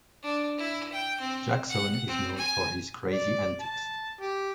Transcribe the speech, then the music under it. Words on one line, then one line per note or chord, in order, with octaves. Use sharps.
Jaxson is known for his crazy antics.
D4
E4
G5
C4
F#5
C4
G#5
D5
A5
G4